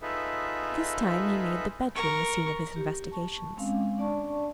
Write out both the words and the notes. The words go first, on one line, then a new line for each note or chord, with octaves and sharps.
This time he made the bedroom the scene of his investigations.
D#4 F4 G#4 A4 B4 E5
A#4 C#6
G4
A5 C#6
G#3 C4 C#4 F5
D4 D5 A5 C#6